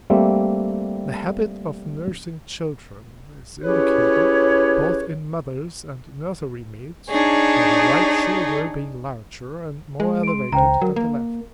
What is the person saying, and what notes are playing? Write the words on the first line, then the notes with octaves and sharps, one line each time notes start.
The habit of nursing children is indicated, both in mothers and nursery-maids, by the right shoulder being larger and more elevated than the left.
G3 A3 A#3 C4
C#4 E4 G4 G#4 B4 C#5
D4 D#4 G#4 C#5
G#3
C6 D7
C#2 C5 G5 A#5
F#3 A#4
A#3